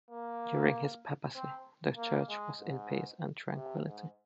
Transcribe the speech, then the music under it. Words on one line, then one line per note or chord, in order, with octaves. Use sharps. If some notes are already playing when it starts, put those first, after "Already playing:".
During his papacy, the church was in peace and tranquility.
A#3
C4
A#3
G#3
G#2
C3
G#2